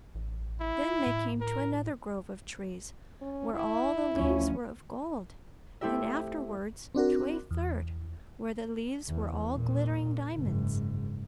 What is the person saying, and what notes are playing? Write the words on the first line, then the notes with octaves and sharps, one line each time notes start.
Then they came to another grove of trees, where all the leaves were of gold; and afterwards to a third, where the leaves were all glittering diamonds.
A1
E4
A2
A#4
C#4
E4
D2 F3 C#4
A3 C4 E4 G4 E5
C4 D4 F#4 A#4
E2
E2
A#2
F#1 G#2